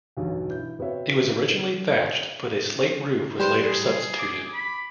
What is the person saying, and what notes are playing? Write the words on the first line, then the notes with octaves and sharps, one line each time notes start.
It was originally thatched, but a slate roof was later substituted.
B1 E2 G2 B2 D3 F#3
E4 G6
B2 B3 C4 C#5 E5
G3 B4 C5
G#4
D6
B5